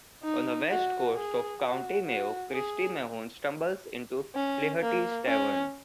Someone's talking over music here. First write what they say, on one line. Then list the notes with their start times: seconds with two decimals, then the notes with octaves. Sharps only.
On the west coast of County Mayo Christy Mahon stumbles into Flaherty's tavern.
0.23 D#4
0.70 F#4
1.15 G#4
1.60 F#4
2.07 F#4
2.53 G#4
4.35 C#4
4.82 A#3
5.27 C#4